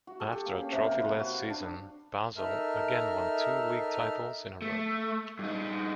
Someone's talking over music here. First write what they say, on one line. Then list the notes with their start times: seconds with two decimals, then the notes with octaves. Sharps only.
After a trophy-less season, Basel again won two league titles in-a-row.
0.07 F#4
0.20 A4
0.32 G4
0.46 A#3
0.58 C#4
0.72 C3
0.84 A#4
1.00 B4
1.19 F#4
1.34 F5
1.50 D4
2.36 D#4 A4 A#4 E5 F6
4.62 A3
5.39 G2 D#4